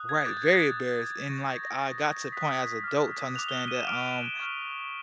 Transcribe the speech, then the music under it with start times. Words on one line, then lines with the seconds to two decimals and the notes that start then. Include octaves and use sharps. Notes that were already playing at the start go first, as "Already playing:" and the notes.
Right, very embarrassed. And, like, I got to the point as a adult to understand that, um,
Already playing: D#6 F#6
0.09 G#6
0.25 D6 G6 A6
0.77 D#6 F#6
1.29 C#6 F#6 A#6
1.46 A#6
1.64 A#6
1.80 D#6 F#6 A6
2.32 D#6 F#6 B6
2.84 D6 F6
3.35 F#6 F7
3.39 D6
3.48 G7
3.68 D#7
3.74 E7
3.87 D6 F6 D7
4.39 C#6 F6